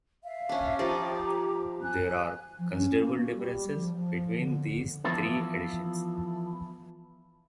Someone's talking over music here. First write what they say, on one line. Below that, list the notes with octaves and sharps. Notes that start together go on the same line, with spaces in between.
There are considerable differences between these three editions.
E5 F5
C#4 D4
F3 D#4 G4 D5 A#5 D6
G#5 F#6
F3
C#4
A#3
F#4
G3
F3
F3
D3
E3 F3 B3 E4 F4 A4